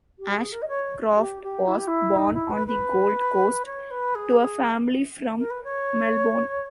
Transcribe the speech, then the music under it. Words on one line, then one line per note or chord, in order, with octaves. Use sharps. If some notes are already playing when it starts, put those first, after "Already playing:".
Ashcroft was born on the Gold Coast to a family from Melbourne.
G4
G#4
A#4
D#5
C#5
G4
G4
E4
G4
E4
D#4
E4
B4
B4
C#5
B4
G#4
G#4
A#4
B4
C#5